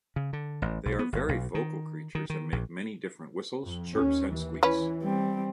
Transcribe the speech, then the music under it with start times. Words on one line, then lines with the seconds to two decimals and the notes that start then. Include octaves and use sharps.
They are very vocal creatures and make many different whistles, chirps, and squeaks.
0.16 C#3
0.33 D3
0.62 A1
0.85 B1
0.99 B3
1.13 G1
1.29 B1
1.55 D#3
2.15 D#3
2.30 D#3
2.52 A#1
3.64 F2
3.95 D#2 C#4
4.32 E3
4.63 C#4 E4 B4
5.02 G3 C4